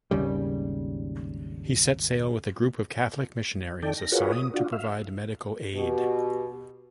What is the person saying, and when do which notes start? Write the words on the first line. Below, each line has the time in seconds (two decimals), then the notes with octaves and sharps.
He set sail with a group of Catholic missionaries assigned to provide medical aid.
0.11 G#1 D#2 C#3 G3
3.83 D#3 A4 D5 G5
3.97 A#6
4.12 F4 F#4 G#4 A#4 B4 C#5
4.32 D#6
4.54 D4 F4 F#4
4.72 E5 F5
5.75 B2 G4